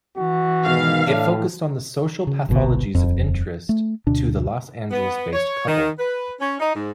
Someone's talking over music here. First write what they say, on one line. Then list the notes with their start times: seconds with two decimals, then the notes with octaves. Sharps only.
It focused on the social pathologies of interest to the Los Angeles-based couple.
0.17 E3 F#4
0.64 G#2 B2 D#3 F5
1.06 A2 D4
2.27 C#3
2.49 G1 C2 B2 D3
2.95 D#1 F2
3.69 A3
4.07 D2 B2 D4
4.91 B3
5.33 C#5
5.67 D#3
5.99 B4
6.40 C#4
6.60 D#4
6.75 G#2